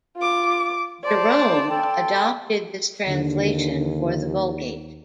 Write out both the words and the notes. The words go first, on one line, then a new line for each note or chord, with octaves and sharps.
Jerome adopted this translation for the Vulgate.
F4 D6
C5 D5 A5 C6
A4 G5 C6
D#2 D3